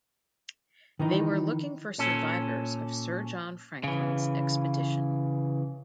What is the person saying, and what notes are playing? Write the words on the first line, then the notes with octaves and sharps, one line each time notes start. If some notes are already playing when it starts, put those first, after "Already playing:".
They were looking for survivors of Sir John Franklin's expedition.
D#3 E3 D#4
A#2 C#4 A4
C#3 E3